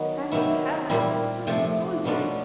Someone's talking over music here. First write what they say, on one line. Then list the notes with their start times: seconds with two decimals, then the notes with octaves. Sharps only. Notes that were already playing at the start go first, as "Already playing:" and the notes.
Thank Heaven! it was the soldiery.
Already playing: D#3 F#3 B3 D#4 F#4
0.32 C3 D#3 F#3 B3 E4
0.89 A#2 G3 C4 E4
1.47 C3 F3 A3
2.05 B2 F#3 B3 D4 F4